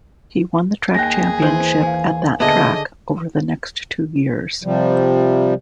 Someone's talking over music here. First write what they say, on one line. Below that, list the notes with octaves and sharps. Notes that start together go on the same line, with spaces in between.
He won the track championship at that track over the next two years.
D#2 G#4 D#5 G5 F#6 A#6
E3 C5 G6
F5 G#5
A#2 D3 B3 G#4 D#5 E5 A5 D6
C3 F3 G3